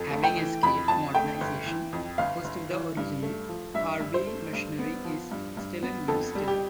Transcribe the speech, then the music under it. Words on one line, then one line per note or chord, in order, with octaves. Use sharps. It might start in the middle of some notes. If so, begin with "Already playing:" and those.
Having escaped modernisation, most of the original Harvey machinery is still in use today.
Already playing: F2 A4
A3
G5
E3
F2 B5
F2 A5
A3 G5
G1
E3
F2
G1 F5
G1
E3
G2
A3
F3
G2 E5
G2
C5
A3
G2
B3
F3
G2
G2
B3
F2 A4
G3
G4